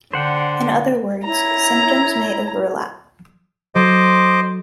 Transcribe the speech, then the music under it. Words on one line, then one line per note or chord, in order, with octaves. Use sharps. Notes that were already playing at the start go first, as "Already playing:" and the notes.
In other words, symptoms may overlap.
D3 C5 F#5 G5
E4 C#5 A#5
F#3 A4 C5 D#5 C6 D6